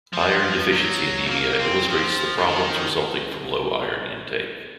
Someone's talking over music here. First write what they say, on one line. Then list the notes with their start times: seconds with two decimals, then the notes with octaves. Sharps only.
Iron-deficiency anemia illustrates the problems resulting from low iron intake.
0.13 F3
0.72 F#3
1.26 A3
1.30 A#3
1.59 C4
1.88 F3
2.38 F3
2.46 D#3